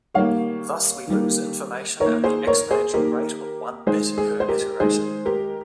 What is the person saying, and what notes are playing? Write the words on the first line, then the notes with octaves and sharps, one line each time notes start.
Thus we lose information at the exponential rate of one bit per iteration.
D#3 G3 A#3 C#5 F5
D#3 G3 A#3
D#3 A#3 A#4 C#5
G#4 C5
A#4 C#5
G#4 C5
D#3 A#3 G4 A#4
D#3 G#3 G#4 C5
G#4
C5
G4 A#4
D#3 G#3 G#4 C5
G4 A#4